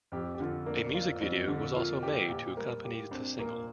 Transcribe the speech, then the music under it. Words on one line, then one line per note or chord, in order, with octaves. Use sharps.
A music video was also made to accompany the single.
F2 G4
G4
D3 F4
A#3 D4
F4
F2
D3
A#3 F4
F4 G4
A#2 G4
G3 A#4
A#3 G4
C4 D4
A#2 A#3